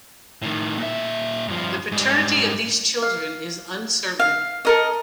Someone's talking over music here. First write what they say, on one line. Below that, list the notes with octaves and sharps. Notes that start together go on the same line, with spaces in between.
The paternity of these children is uncertain.
A2 D#3
A#2 E5
G2 F3
G#2 G3
F5
F5
A4 A#4 D#5